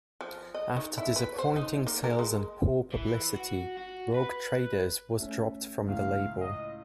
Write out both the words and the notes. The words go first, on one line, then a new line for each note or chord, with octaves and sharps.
After disappointing sales and poor publicity, Rogue Traders was dropped from the label.
F3
D#5
D#3
E4
B4
C5
D#4
A#3
A#4
G#3
E3
F#4
F#4
B4
A3 C#4
C#2 A2 F5
D#5